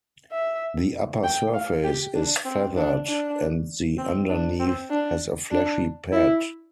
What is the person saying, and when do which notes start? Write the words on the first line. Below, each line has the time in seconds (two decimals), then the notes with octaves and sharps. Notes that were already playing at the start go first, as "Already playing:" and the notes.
The upper surface is feathered, and the underneath has a fleshy pad.
0.32 E5
1.24 G5
1.54 F5
1.84 G4
2.15 D4
2.46 C4
2.76 D4
3.07 D4
3.98 C4
4.29 D4
4.60 C4
4.90 D4
5.51 D4
6.12 E4